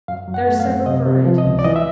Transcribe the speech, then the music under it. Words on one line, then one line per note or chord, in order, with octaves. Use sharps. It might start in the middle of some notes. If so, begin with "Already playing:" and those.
There are several varieties.
F#2 F5
F#3
F#5
A3
F5
F#2
C3 D#5
C3
F3
D#5
C#2
D5
E3 D#5
E5